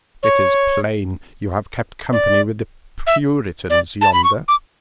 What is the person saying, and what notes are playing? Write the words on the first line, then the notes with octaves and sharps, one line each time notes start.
It is plain you have kept company with the Puritans yonder.
C#5
D5
E5
D5
A5
B5
C#6
D6